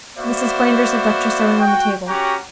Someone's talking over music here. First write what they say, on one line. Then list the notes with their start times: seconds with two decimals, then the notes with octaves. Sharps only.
Mrs. Flanders had left her sewing on the table.
0.17 A#3 B3 F#4 C5 D5 E5
1.58 F#4 G5
2.07 C#4 F#4 G4 F#5 G5 A#5